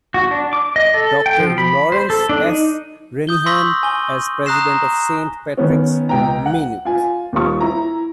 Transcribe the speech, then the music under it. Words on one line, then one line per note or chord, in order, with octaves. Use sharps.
Doctor Laurence F. Renehan as President of Saint Patrick's, Maynooth.
F#4
D4
D6
D#5
A4
G5
F3
B5
C5
A4
D4
D#4
D#6 G6 G7
C6 C#6 E6 A#6 B6 F#7
G#5 G7
A#5 D#6 F#6 A#6 C7 E7
D#3 B3 C#4
C#2 G5 A#5
F#5
F4 G#5
D#2 G3 F4 C#6
E4 A#5